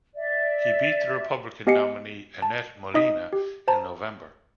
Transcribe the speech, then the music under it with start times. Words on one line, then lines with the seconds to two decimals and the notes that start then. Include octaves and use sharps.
He beat the Republican nominee Annette Molina in November.
0.16 D5 E5
1.67 B3 G4 D#5 G#5 C7 C#7
2.42 A5
2.94 D#4 D#5 D#6 B6
3.33 G4
3.68 C5 A5 A#5